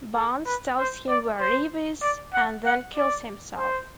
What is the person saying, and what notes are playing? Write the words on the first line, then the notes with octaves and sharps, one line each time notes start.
Barnes tells him where Eve is and then kills himself.
A4
B4
C5
D5
C5
D5
F#5
F#5
D5
C5